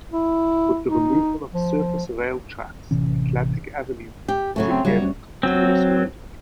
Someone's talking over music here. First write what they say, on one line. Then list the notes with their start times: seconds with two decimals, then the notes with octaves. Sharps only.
With the removal of surface rail tracks, Atlantic Avenue was again a continuous roadway.
0.11 E4
0.88 D#4
1.54 F3
2.91 A1 C3 E3 C#4
4.28 G4
4.56 C#3 F#3 A3
4.69 C4
4.85 C#3 F#3 G3 D4
5.00 D2 C#4
5.43 F#3 C4